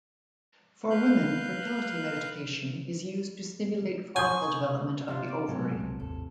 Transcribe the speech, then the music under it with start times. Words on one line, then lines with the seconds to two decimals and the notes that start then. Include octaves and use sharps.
For women, fertility medication is used to stimulate follicle development of the ovary.
0.90 B4 F5 F#6 G6
4.16 G#5 C6 C#6 D#6 G6
5.08 C3 C4 F4
5.28 D5
5.48 A2 F#3 G#3 A3 A4
5.72 C2 F#2
6.00 G#1 D#2 A2 A4